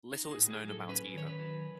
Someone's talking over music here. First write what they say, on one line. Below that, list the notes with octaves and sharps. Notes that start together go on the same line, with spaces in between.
Little is known about either.
D#4
G#4
A2
G#4
F#3
A4
C#4 B4
D#3 C#5
B4
F#3